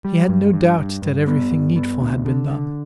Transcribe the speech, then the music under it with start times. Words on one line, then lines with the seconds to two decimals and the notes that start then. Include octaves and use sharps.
He had no doubt that everything needful had been done.
0.05 G3
0.29 G2
0.53 G2
0.78 G2
1.02 G2
1.27 B3
1.51 G2
1.76 B3
2.01 D2
2.25 D3
2.50 D3